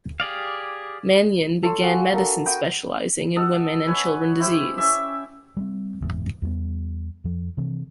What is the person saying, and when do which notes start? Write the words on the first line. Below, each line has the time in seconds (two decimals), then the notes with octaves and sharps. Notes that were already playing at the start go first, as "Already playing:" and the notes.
Manion began medicine specializing in women and children disease.
0.20 G4 G#4 D5 F5
1.63 A4 C#5 C6
1.81 F#4 G#4 F5
2.13 D4 A4 A#4
2.46 F#4 D#5 G5 B5
3.36 A4 D#5 F#5
3.87 B4 C#5 G#5
4.40 E4 G4 C5
4.78 C#4 E5
5.57 G3 G#3 C4
6.01 F#1 E2 G#2
6.42 E2 G3 A#3 B3
7.24 F2 F3
7.57 C3 E3 C4